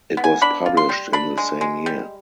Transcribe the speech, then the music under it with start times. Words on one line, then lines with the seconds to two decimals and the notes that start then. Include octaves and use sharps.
It was published in the same year.
0.17 B3
0.24 G#5
0.42 D4 B5
0.66 F4
0.77 C6
0.89 G3
1.13 D4 B5
1.38 G#3
1.61 G#3
1.86 G3